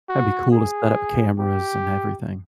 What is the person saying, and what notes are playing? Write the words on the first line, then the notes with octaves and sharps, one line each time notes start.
That'd be cool to set up cameras and everything.
F#4
G#4
G4